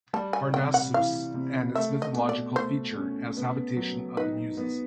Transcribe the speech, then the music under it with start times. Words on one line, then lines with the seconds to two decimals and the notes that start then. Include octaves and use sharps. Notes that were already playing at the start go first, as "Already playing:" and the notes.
Parnassus and its mythological feature as habitation of the Muses.
0.13 G3 A5
0.33 G#5
0.54 C3 G5
0.74 F#5
0.94 E3 F5
1.34 C3
1.75 A3 E5
2.02 D#5
2.15 B2
2.29 D5
2.55 A3 C5
2.95 C#4
3.37 B3
3.77 F#3
4.17 D#4 B4
4.57 B3